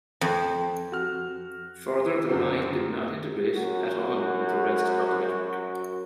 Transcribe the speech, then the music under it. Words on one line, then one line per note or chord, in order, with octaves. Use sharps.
Further the line did not integrate at all with the rest of the network.
F2 C5
F#4 F6
F#2 D3 C4
F#2 F#4